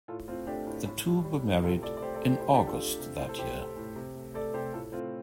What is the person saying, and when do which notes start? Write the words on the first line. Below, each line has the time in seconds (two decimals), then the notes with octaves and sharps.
The two were married in August that year.
0.08 A2 F4 A4
0.28 A3 C4 F4
0.47 A3 D4 G4
0.67 A2
0.86 A2
1.06 G3
1.25 G3
1.44 A2
1.63 C3 F4 A4
1.82 A3 A4 D5
1.97 D5
2.02 A3 G4 C5
2.14 A4 D5
2.22 C3
2.27 G4 C5
2.40 C3 G4 C5
2.53 D4 G4
2.60 A3
2.67 F4 A4
2.80 A3
3.00 C3
3.18 A2 C5
3.29 A4
3.38 A3 G4 C5
3.58 A3
3.77 A2
3.96 C3
4.16 A3
4.34 A3 A4 D5
4.54 C3 G4 C5
4.73 A2 F4 A4
4.92 A3 C4 F4